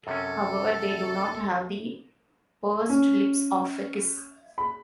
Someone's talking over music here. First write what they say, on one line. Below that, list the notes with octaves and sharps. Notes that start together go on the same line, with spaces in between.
However, they do not have the pursed lips of a kiss.
F#2 C3 C#4 A4
C#4
B5